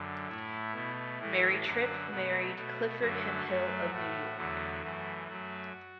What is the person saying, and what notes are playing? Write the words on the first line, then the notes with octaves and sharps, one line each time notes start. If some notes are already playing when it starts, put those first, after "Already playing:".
Mary Tripp married Clifford Hemphill of New York.
Already playing: F#2 D3
A2 A3 E4
B2 A3
A2 E3 A3 E4
F#2 D3 F#3 F#4
B2 F#3 A3
B2 A3 F#4
F#2 D3 F#3 A3 F#4
F#2 F#3 A3
A2 A3 F#4
E2 D3 F#3 A3
F#2 E3 A3 F#4
F#2 F#3 A3 F#4